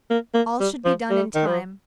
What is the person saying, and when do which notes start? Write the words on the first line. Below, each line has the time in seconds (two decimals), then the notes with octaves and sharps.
All should be done in time.
0.11 A#3
0.34 A#3
0.60 G3
0.85 F3
1.10 G3
1.35 D#3
1.47 F3